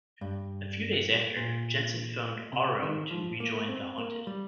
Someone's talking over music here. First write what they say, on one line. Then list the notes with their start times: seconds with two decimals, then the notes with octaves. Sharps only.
A few days after, Jensen phoned Aro to rejoin The Haunted.
0.21 G2
1.37 A#2
2.53 C3
2.83 D#3
3.11 F3
3.40 A#3
3.69 C4
3.98 A#3
4.27 G3